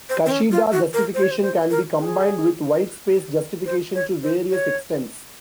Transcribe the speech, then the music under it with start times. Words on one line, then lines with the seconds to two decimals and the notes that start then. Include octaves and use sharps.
Kashida justification can be combined with white-space justification to various extents.
0.09 C5
0.26 C4
0.31 C#4
0.51 F4
0.72 F#4
0.94 A#4
1.14 C5
1.23 C#5
1.31 C5
1.42 C5
1.70 A#4
1.98 G#4
3.66 C5
3.94 C#5
4.23 C5
4.51 C#5